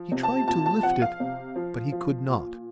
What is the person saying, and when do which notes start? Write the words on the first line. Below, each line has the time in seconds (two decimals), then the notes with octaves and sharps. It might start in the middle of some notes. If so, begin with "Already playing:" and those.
He tried to lift it, but he could not.
Already playing: F3
0.12 C3
0.23 A5
0.48 A#2 A5
0.66 A5
0.83 F3 F#5
1.02 F5
1.20 C3
1.56 F3
1.92 F3
2.29 A#2